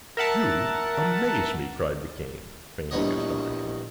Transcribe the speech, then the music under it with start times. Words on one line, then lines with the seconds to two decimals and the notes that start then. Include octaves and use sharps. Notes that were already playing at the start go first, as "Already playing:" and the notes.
"You amaze me!" cried the king, feigning astonishment.
0.17 A#4 E5 F#5 A5
2.91 A#1 E2 G2 B2 C#5 D#5